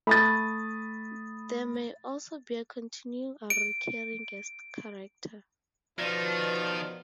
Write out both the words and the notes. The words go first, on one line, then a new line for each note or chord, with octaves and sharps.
There may also be a continuing or recurring guest character.
A3 B5 D#6 A6
D7
B2 D#3 F3 F4 D5